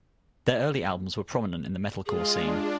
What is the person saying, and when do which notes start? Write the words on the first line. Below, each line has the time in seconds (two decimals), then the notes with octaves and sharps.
Their early albums were prominent in the metalcore scene.
2.06 G#3 F4 G#4
2.38 D4